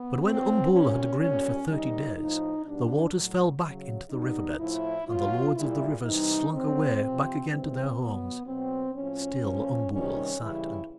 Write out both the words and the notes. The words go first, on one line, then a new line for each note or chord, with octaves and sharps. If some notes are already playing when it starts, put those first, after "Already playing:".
But when Umbool had grinned for thirty days the waters fell back into the river beds and the lords of the rivers slunk away back again to their homes: still Umbool sat and grinned.
Already playing: B3
A#2 F#3 C4
A#2 G3 C#4
A#2 G3 C#4
C3 D#3 G3 D#4
A2 F3 D#4
B2 G3 D4
A2 F#3
C#3 F#3
B2 G3 D#4
A2 F3 E4
B2 F#3 F4
A#2 G3 E4
C3 E3 G3 D#4
C#3 F#3 C4
C3 F3
C#3 E3 G3 C4
B2 F#3 B3
B2 F#3 C4
A2 F3 C#4
A#2 F3
C3 D#3 G3 C#4
C#3 E3 G3 E4